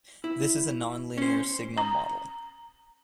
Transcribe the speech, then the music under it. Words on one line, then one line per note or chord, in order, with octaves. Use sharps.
This is a non-linear sigma model.
E4
C#4 C5
A#5